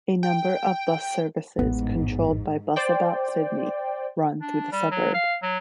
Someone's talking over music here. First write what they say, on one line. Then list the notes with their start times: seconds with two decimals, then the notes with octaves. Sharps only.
A number of bus services controlled by Busabout Sydney run through the suburb.
0.23 G5
1.59 A1 F2 G#2 B3
2.76 C5 D5 G5
4.42 D4
4.72 G3
4.91 F#3
5.14 F5
5.43 F#3